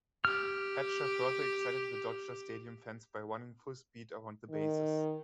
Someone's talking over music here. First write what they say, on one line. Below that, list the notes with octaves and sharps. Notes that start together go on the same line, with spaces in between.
Hatcher further excited the Dodger stadium fans by running full speed around the bases.
G4 F6
D#3